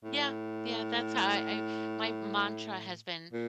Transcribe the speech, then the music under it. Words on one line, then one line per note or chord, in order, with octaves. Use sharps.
Yeah, yeah, that's how I I my mantra has been,
A2
A#2